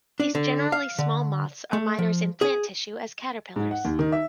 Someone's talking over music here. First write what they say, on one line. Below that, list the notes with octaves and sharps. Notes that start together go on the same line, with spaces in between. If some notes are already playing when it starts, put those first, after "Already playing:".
These generally small moths are miners in plant tissue as caterpillars.
D4
D3
F5
D3
A3
F3
G#4
G#2
F#5
D#2
D#3
E5